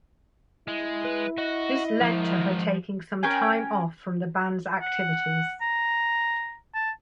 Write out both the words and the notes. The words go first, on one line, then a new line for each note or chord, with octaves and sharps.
This led to her taking some time off from the band's activities.
G#3 E4
B4
F#4 D#5
G#2 D#3 F3
C#4 A#4 G5 G#5
F#5
A#5
A5